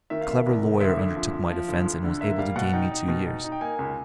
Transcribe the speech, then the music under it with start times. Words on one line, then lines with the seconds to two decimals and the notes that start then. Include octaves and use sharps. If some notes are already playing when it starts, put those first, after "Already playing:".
A clever lawyer undertook my defence and was able to gain me two years.
0.10 D#3 E5
0.21 F5
0.28 D#3 E5
0.46 C2
0.63 D#3
0.80 D2 E5
0.98 D2
1.16 F3
1.33 F3
1.51 F3
1.68 D2
1.86 D2
2.04 D3
2.21 A#3 E5
2.38 G3 F5
2.56 B2 F#5
2.73 D#4 G5
2.91 D#4
3.08 B2
3.26 D#4
3.44 D#4
3.52 G5
3.61 A#3 G#5
3.79 C#2